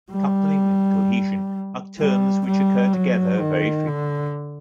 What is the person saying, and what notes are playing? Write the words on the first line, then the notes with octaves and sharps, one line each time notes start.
Coupling and cohesion are terms which occur together very frequently.
G3
G3
G3
F#3
D#3
D3